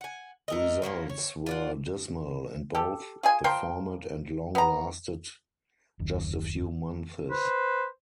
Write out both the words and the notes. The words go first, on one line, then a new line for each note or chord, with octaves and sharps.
Results were dismal, and both the format and Long lasted just a few months.
F#5 G#5
A3 A#4 D#5
F3 F#3 G#3 A#3
C#5
F4 D5 F#5
G4 A4
F4 G#4 G#5
F3 A#4 G5 C6
B3 A#5
F#1 D#2
B4 C5